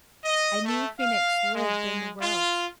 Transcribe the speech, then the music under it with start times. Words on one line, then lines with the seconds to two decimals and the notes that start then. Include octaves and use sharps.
A new Phoenix lived in the world.
0.25 D#5
0.65 A3
0.99 F5
1.54 G#3
2.21 F4